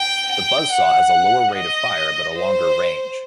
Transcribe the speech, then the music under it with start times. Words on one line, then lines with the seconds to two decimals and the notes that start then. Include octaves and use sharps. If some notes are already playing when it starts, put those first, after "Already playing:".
The Buzzsaw has a lower rate of fire but a longer range.
Already playing: G5
0.32 G5
0.72 F#5
1.53 D#5
2.35 C5